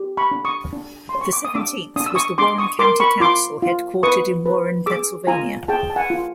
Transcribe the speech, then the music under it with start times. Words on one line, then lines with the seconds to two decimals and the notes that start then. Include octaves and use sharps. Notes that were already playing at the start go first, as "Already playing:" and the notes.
The seventeenth was the Warren County Council headquartered in Warren, Pennsylvania.
Already playing: G4
0.17 B5 C#6
0.31 D4
0.45 C#6 D#6
0.73 D4
1.09 C6
1.15 C#5
1.21 C#6
1.33 D6
1.45 D#6
1.55 D4 D6 E6
1.96 D4 D#6
2.06 E6
2.15 C#6 D#6
2.38 D4 C6 D6
2.58 C#6 D#6
2.79 A#4 C6 D6
3.00 B5 C#6
3.20 F4 C6 D6
3.62 F4
4.03 B4 C#6 D#6
4.46 B4
4.86 G#4 D6 E6
5.27 F4 G#5 A#5
5.68 G#4 G5 A5
5.90 A5
5.96 F#5 G#5
6.10 F4